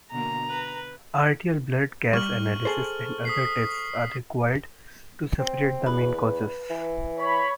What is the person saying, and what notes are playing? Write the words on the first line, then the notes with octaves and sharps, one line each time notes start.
Arterial blood gas analysis and other tests are required to separate the main causes.
B2 D3 A#3 A#5
B4
G3 C#6 F6 F#7
G#4 A4 C5
D#6 B6 C7
C4
E2 B4
E3
C#5 B5